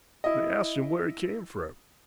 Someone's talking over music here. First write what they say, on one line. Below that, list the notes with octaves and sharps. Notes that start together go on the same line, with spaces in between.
They asked him where he came from.
E4 D#5